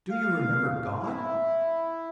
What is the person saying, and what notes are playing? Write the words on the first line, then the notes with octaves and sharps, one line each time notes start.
Do you remember God?
F5
E4